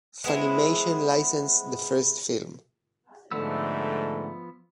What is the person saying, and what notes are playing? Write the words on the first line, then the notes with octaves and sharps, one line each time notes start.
Funimation licensed the first film.
G#3 B3 C4 E4
G#2 D3 F3 A3 B3 E6